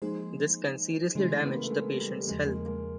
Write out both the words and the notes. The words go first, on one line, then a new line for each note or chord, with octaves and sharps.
This can seriously damage the patient's health.
F3 G#3 A#3 D#4 G#4 C5
C#3 E3 G#3 A3 C#4
B3
A#3
A3
G#3
G3
E2 C#3 F3 G#3
G#3 A#3
G#3 A#3